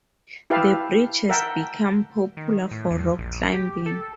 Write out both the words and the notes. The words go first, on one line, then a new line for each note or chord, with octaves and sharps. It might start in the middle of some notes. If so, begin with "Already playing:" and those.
The bridge has become popular for rock climbing.
E4 G4 B4 E5 F5 A5
A#4 E5 F#5 G5 A5
D#3
A2
E2
A#1
G4
A4